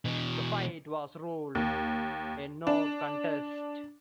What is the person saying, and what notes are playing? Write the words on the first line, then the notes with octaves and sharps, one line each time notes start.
The fight was ruled a no contest.
B2 E3
D#2
D4